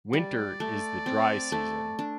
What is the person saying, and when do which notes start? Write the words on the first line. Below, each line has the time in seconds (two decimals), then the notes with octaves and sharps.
Winter is the dry season.
0.13 G3 D5
0.60 A3
1.06 C4
1.52 A3
1.99 D4